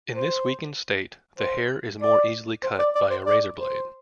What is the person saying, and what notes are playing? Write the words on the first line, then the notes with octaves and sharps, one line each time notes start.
In this weakened state, the hair is more easily cut by a razor blade.
C5
C5
D5
C5
D5
D5
C5
D5
C5